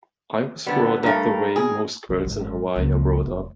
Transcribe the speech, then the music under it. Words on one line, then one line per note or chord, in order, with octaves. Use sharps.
I was brought up the way most girls in Hawaii are brought up.
D3 G3 B3
G2 A3 A#4
G#4
F1 B1
G#1
C#2 A#3
F1